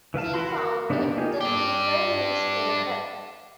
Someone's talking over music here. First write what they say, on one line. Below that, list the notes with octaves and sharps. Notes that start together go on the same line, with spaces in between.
He founded "The People" newspaper.
E3 B4 F5 A5
E4 F#4 B5 C6
F#4 A#4
B3 D4 D#4 G4 A4
A#3 D#4 F4 G4 G#4
D4 G4